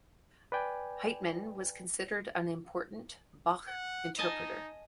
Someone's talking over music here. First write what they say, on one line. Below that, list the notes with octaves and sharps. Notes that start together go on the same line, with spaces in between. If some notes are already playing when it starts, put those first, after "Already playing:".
Heitmann was considered an important Bach interpreter.
B4 D5 G5 G#5
F#5
D#4 D#5 G#5 A5